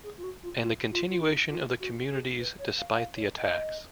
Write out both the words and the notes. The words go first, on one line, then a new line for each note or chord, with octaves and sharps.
And the continuation of the communities despite the attacks.
G#4
F4
F#4
F4
F4
F4
F4
D#4
F4
F#4
G#4
B4
C#5
F5
F#5
F5
C#5
D#5